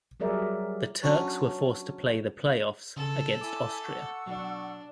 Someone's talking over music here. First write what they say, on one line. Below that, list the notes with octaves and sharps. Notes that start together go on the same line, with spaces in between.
The Turks were forced to play the play-offs against Austria.
F#3 G3 G#4 A#4 D5 E5
F#3 C#4 D4 G#5
C#3 A4
E4 G#5 D6
F#5 C#6 E6
B2 F#3 D4